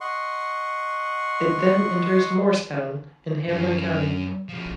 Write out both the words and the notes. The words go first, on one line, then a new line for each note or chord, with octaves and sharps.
It then enters Morristown in Hamblen County.
D#5 F#5 C6 C#6
F#2
B2 F3